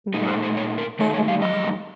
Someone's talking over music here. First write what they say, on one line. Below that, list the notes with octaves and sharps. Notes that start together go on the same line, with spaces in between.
Wow. Oh wow.
A#2 A3 D#4
C5
C5
C#5
A#4
D#3 A3 D#4 C#5
C#5
F5
D#5